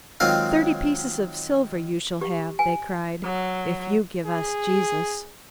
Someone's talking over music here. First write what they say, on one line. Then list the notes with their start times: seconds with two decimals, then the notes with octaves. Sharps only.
"Thirty pieces of silver you shall have," they cried, "if you give us Jesus!"
0.20 D#3 F#3 G#3 C4 F4 A#4
2.21 G4
2.59 G#5
3.24 F#3
4.26 G#4